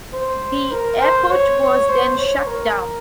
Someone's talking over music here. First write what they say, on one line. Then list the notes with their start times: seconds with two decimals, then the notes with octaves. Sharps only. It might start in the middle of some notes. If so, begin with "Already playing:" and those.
The airport was then shut down.
0.13 C5
0.72 A#4
1.01 C5
1.30 C#5
1.89 C5
2.18 C#5
2.47 A#4